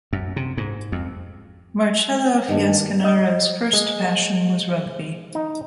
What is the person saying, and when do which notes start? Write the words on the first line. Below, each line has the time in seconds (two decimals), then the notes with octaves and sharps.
Marcello Fiasconaro's first passion was rugby.
0.13 F#2
0.36 C3
0.57 G#2
0.92 F2
2.49 G2 D#3 D4 D#5
3.04 D#5
3.73 G#3
5.35 D#4